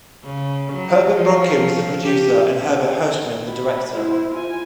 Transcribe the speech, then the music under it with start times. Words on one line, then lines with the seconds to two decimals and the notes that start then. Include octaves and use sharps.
Herbert Brodkin was the producer and Herbert Hirschman the director.
0.25 C#3
0.73 F#3
1.14 F3
2.04 G4
3.48 B5
3.95 E4 C5
4.32 F4 G#5